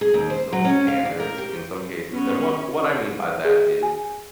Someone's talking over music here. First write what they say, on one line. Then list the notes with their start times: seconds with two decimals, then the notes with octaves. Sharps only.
some standards in some cases. And what what I mean by that is,
0.01 G#4
0.14 D#2
0.30 C5
0.53 F#3
0.65 C#4
0.88 F5
1.05 D5
1.20 A#4
1.38 G4
2.11 B3 C#4
3.45 G#4
3.83 G#5